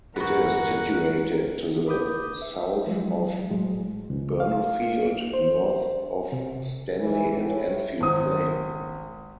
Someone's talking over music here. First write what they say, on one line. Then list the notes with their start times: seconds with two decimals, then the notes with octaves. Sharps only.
It is situated to the south of Burnopfield, north of Stanley and Annfield Plain.
0.16 G1 E2 B3 F#4 A#4 F#5
1.87 B4 B5 D6 D#6 G6
2.42 E5
2.87 F3 F#3 G#3
3.50 A2 F#3 G#3
4.10 C#2
4.40 F5
5.34 C5
6.32 C3
7.00 E3
7.35 A2
8.00 G#1 D#6